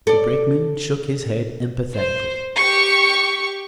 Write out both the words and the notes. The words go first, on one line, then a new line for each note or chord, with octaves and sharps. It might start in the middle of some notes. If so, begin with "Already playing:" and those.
The Brakeman shook his head emphatically.
A4 D5
C5
G4 C#6